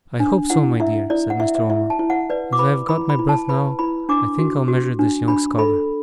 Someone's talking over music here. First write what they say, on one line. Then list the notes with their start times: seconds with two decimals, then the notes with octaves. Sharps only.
'I hope so, my dear,' said Mr. Omer. 'As I have got my breath now, I think I'll measure this young scholar.
0.20 D4
0.50 E4 F#5
0.80 E4 E5
1.10 E4 D5
1.30 F#5
1.40 E4 E5
1.55 E5
1.70 E4 E5
1.90 A5
1.99 E4
2.10 F#5
2.30 B4 D5
2.53 D6
2.59 B4 B5
2.89 E4 B5
3.10 B5
3.19 E4
3.29 A5
3.49 B4 B5
3.79 E4 B5
4.09 D4 D6
4.39 F#4
4.68 F#4
4.99 D4
5.28 D4 B5
5.58 A4 B5